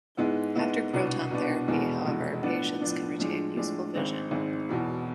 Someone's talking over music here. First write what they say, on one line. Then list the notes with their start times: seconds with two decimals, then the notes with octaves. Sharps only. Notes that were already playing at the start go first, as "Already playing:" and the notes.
After proton therapy, however, patients can retain useful vision.
0.17 G#2 G#3 B3 E4
0.56 G#2 G#3 B3 E4
0.93 C2 B2 B3 D4
1.31 C2 B2 B3 D4
1.68 F1 E2 B2 G#3
2.06 F1 E2 B2 G#3
2.43 A2 F3 B3 D4
2.81 A2 F3 B3 D4
3.19 A2 F3 G#3 D4
3.57 A2 F3 G#3 D4
3.94 G#1 G#2 G#3 C4
4.31 G#1 G#2 G#3 C4
4.69 E1 E2 B2